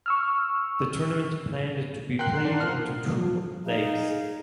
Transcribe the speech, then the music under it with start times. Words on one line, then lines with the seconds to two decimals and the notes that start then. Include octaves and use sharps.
The tournament planned to be played into two legs.
0.06 C#6 E6 F6
2.19 A#4 F#5 G5 C6 F#6
2.45 D4
2.60 F3 F6
3.66 D#4 G#4 F5